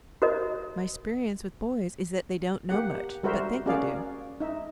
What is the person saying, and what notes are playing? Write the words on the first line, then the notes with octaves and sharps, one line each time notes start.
"My 'sperience with boys is that they don't know much, but think they do."
F#4 A#4 D#5
A#3 G4 F#5
G3 F#4 A#4 C5 E5
A#3 C#4 F#4 G#4 D5 F5
D#4 E5